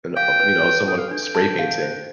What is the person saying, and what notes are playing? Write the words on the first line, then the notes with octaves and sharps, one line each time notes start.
and, uh, you know, someone spray painting.
F5 G5
B4
B4
A4 G5
F5
D4 G5
A5
F5
C5